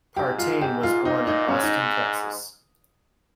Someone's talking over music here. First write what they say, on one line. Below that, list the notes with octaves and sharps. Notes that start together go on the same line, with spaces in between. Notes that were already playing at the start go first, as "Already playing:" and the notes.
Partain was born in Austin, Texas.
G#2 G4
F4
G4
F4
A#2 D#4
D#4
G#2 C#4
D#4